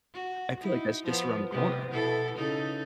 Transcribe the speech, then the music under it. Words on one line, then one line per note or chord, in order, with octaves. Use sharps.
I feel like that's just around the corner.
F#4
D#4 E4
F3 B3
C3 B3
B2 E4 A4
C#3 D#4 A4